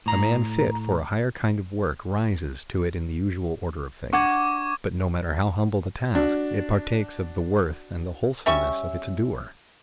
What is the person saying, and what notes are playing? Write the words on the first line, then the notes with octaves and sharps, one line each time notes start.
A man fit for a higher kind of work rises to it in the usual order of things; but no matter how humble the task, it partakes of the worth and wholesomeness of its doer.
A2 A#5
D4 F#5 C#6 D6 G#6
D4 F#4
G3 C#4 E5 C#6